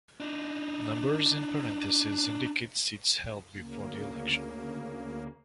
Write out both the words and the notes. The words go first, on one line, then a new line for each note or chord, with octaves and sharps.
Numbers in parentheses indicate seats held before the election.
D4 D#4
D2 C#3 A#3